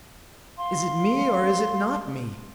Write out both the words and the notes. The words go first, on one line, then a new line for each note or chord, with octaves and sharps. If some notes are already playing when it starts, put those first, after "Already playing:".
'Is it me, or is it not me?
F5 C6